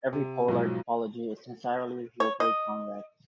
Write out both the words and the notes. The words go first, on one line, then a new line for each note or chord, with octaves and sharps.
Every polar topology is necessarily locally convex.
C3
B1 G#2 F3 F#3
C#5
D#5